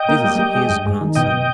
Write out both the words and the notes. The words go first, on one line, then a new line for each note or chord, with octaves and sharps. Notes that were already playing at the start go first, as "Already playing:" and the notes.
This is his grandson.
Already playing: D#5 G5
A#3
G3
G3
G#3
G2
G#3
D#3
B2 D#5 G5
B2